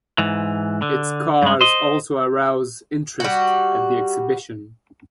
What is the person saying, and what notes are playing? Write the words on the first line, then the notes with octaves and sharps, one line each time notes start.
Its cars also arouse interest at the exhibition.
G#2 E3
D3
G2 G#3
C5 D#5
G3 F#4